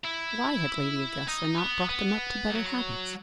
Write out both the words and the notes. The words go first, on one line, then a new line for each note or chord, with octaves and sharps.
Why had Lady Augusta not brought them up to better habits?
E4
D#4
B3
B3
F#3